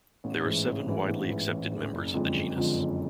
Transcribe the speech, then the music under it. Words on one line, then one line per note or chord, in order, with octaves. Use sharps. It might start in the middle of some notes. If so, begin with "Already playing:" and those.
There are seven widely accepted members of the genus.
A1
G#2 E3
A1
G#2 E3
A1
G#2 E3
A1
G#2 E3
F#1
F2 D3 F3 G#3
F#1
F2 D3 F3 G#3
F#1